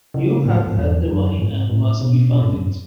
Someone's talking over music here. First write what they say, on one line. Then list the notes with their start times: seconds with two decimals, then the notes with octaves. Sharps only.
You have had the money and must refund it.
0.14 C#3
0.45 A2
0.56 G#2
0.67 G#2
0.77 E2
1.08 F#2
1.39 G#2
1.69 A2
2.01 B2
2.32 B2
2.42 G#2
2.52 F#2